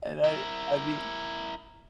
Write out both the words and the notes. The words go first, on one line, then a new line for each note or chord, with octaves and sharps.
And I I mean
E4 A#4